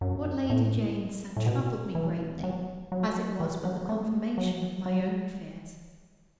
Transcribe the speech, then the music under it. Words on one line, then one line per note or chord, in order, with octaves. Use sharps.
What Lady Jane said troubled me greatly, as it was but the confirmation of my own fears.
F#2
A2
A2
B2
E3
F#3
F#3
E3
F#3
A3
F#3
F#3